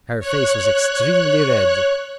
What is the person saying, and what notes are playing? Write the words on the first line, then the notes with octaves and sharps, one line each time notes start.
Her face was extremely red.
C#5 F#6